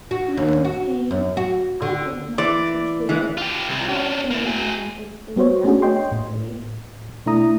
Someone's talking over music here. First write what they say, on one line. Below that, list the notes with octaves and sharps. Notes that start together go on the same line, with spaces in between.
He maintained: "I don't like to kill... not even when it is necessary".
F#4
D#2
F#4
F#2
F#4
D3
E3 D5
E3 G#3 B3
F4 G4
C2 C3
C#4 D4
A#3 E4
F#4 G#4
G3 B3 F#4 C5 C#5
A3 C#4 D4 F#4 G#4
C#5 D#5 G5 C6
A2
B2 A3 D4 E4 A#5 D#6